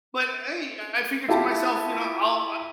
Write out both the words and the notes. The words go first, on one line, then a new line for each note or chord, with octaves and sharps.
But hey, I figured to myself, you know, I'll
E4 F4 G4 E5 F5 A5